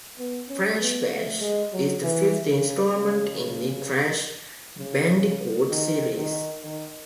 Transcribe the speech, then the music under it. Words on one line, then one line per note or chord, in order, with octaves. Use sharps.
"Crash Bash" is the fifth installment in the "Crash Bandicoot" series.
B3
C#4
B3
A3
G#3
F#3
E3
C#3
C#3
C#3
D#3
D#3
D#3